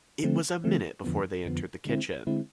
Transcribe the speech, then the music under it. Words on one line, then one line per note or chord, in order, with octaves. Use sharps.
It was a minute before they entered the kitchen.
D3 F3 A3 C4
D3 F3 A3 C4
F2 D3 F3 B3
F2 D3 F3 B3
D3 G#3 C4 E4
D3 G#3 C4 E4